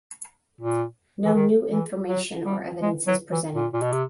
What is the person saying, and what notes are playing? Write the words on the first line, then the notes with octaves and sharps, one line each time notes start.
No new information or evidence is presented.
A#2
E3
D#3
E3
F#3
G3
G#3
F#3
E3
A#2
A#2
B2
C3